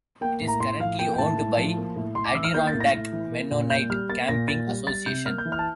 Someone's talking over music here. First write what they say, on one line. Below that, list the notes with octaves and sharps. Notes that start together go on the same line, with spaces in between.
It is currently owned by Adirondack Mennonite Camping Association.
A#3 G5
A2
A#5
A2 C6
F3 F5
A#3 G5
G5
A2 A5
A2
F3
A#3
A2
A2 C6
D6
E3 E6
F6
A#3 G6
A6
A2
A#6
A2
E3
A#3
A#2
A#2 G6
G3 F6
A#3 A6
A#2 A#6
A#2 A6
G3
G3 A6
C3 G6
A#3 F6
G6
E3
F6
A5